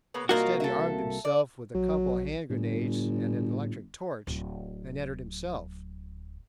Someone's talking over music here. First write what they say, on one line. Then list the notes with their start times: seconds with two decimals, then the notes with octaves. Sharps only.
Instead, he armed himself with a couple of hand-grenades and an electric torch and entered himself.
0.14 C#3 A#3 B3
0.29 C2 A#3 D#4 F4 F#4 A#4
0.60 A4 E5
1.25 D5
1.75 A#1 F#3
2.50 G1 A2
4.27 D1 F#3